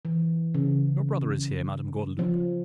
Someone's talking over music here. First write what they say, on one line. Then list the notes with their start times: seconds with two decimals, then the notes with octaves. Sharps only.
"Your brother is here, Madam Gordeloup."
0.05 E3
0.55 C#3
2.19 F3